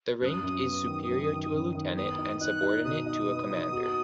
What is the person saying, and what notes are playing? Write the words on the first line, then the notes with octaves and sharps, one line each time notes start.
The rank is superior to a lieutenant and subordinate to a commander.
F#2 D#6 F#6
F#2
B3
D#3
F#2
D#3
F#2
D#3
B3 D#6
D#4
D#4 F#6
D#4
B2 D#6
D#4
B3
D#4
F#4